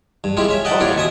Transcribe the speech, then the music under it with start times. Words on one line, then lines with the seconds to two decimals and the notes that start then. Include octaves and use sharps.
Oh, yeah.
0.24 G2
0.37 G#3 C4 E4 F4 G4
0.49 C#4 E5
0.65 D#5 E5 F#5 G5 A5
0.80 E4 F4 G4 C#5 D5
0.96 B2 E5 G#5 D#6